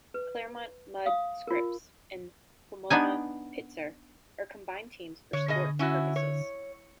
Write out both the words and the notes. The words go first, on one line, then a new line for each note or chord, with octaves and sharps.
Claremont-Mudd-Scripps and Pomona-Pitzer are combined teams for sports purposes.
B4
F5 D#6
F4 A#4
B3 D4 D#4 G#5
D3 C#5
B2 G#4 D#5
C#4 E4 F#4
C#5